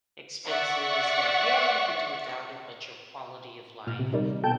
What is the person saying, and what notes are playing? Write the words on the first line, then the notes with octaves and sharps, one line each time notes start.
expenses that, yeah, you could do without it, but your quality of life
D5 E5 F#5 C#6
A#2 F6
C3
C3 D#3 G3
B2 A4 G5